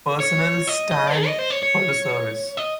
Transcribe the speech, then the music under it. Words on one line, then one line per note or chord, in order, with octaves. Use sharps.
Personnel stand for the service.
C#5
D#5
D#5
G#4
D#5
C5
C#5
C#5
D#5